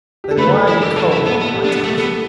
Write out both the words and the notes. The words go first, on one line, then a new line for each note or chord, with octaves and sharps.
Then why are you cold under my touch?
G4
A4
A3 B4
A4
E4 A4
G4 A4
E3 A4
E4
B3 A4
B3
G4
D4
B3
A3 A4
B3 A4